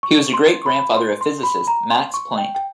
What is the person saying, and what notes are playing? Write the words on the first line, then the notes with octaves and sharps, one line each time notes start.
He was the great-grandfather of physicist Max Planck.
C#6
C6
B5
C6
C6
B5
A#5
C6
C#6
G5
G5